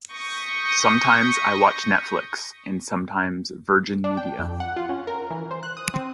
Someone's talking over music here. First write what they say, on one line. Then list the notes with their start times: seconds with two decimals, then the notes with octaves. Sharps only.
Sometimes I watch Netflix, and sometimes Virgin Media.
0.12 C#6 D#6 G6 A#6 B6
4.04 D4
4.17 G5
4.39 F2
4.60 F#5
4.76 F4
4.89 C#4
5.07 A#4
5.30 E3
5.51 C5
5.63 F#6
5.77 D#6
5.94 C4